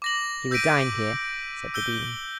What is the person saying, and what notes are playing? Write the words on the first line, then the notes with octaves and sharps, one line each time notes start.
"He will dine here," said the Dean.
D6 A#6 F#7
E6 G6 A#6 B6 D7 D#7
E6 G6 G7